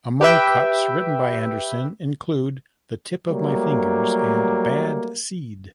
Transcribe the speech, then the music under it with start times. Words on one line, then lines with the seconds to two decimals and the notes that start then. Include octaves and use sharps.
Among cuts written by Anderson included "The Tip of My Fingers" and "Bad Seed".
0.21 G4 B4 E5 G5
3.28 F#3 G3 A3 A#3